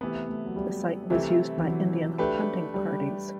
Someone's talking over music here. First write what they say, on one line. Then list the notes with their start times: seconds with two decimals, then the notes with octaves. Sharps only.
The site was used by Indian hunting parties.
0.01 C3 E3 A3 B3
0.29 A3
0.45 F#3
0.56 G3
1.10 C3 E3 A3 E4
1.58 E3
1.65 F#3
2.18 A3 D4 G4 B4
2.74 G3